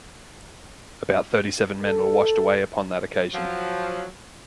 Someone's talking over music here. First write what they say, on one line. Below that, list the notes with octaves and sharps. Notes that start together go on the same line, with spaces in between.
About thirty-seven men were washed away upon that occasion.
A4
F3 F#3